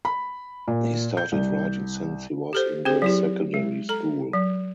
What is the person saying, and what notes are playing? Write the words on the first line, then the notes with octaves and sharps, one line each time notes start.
He started writing since he was in the secondary school.
B5
A#2
G6
C2
G4 A4 C5
C4 G4 G#4 C5
F#3 E4 G4
G#3
A4 A#5
F#3